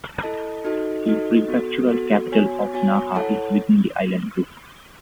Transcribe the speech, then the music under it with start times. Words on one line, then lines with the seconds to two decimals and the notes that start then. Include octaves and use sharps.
The prefectural capital of Naha is within the island group.
0.22 E4 A4 D#5 A5
0.65 D#4 F#4 A4 D#5
1.06 D#4 F#4 A4 D#5
1.48 B3 F#4 A4
1.90 B3 F#4 A4
2.32 B3 F#4 C#5 G#5
2.73 B3 F#4 C#5 G#5
3.15 E4 A4 C#5 F#5 A5